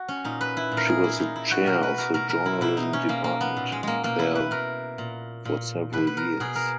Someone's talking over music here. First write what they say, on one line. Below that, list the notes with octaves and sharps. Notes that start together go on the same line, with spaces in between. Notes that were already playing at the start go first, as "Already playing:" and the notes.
She was the chair of the journalism department there for several years.
Already playing: F#4
C#4
A#2 D#4
B4
E4
A#2
A#4
G#4
E4
A#2 D#4
E4
F#4
B2 A#4
B4
A#4
B2 A#4
A#4
E4
B2 E4
D#4
C#4
B2 A#3
A#3
B3
A#2
G#3
G#3 A#3
B2 A#3
E4
B4
B2 A#4
A#2
A#2
B2 B4
B4
A#4
B2 G#4
A#4